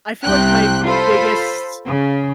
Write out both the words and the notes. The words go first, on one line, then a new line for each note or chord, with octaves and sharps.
I feel like my biggest
C2 C3 G5 F#6
F4 A4 C5 B5
C#3